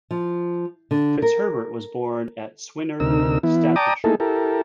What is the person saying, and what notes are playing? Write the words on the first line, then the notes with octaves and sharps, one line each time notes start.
Fitzherbert was born at Swynnerton, Staffordshire.
F3
D3
A#4
D2 C3 D#4 A#4 E6
E3 B3 E4
D5 G5 A5 A#5 D6 D#6
A3 A#3 D#4 E4 G#4 A4
E4 G4 A4 A#4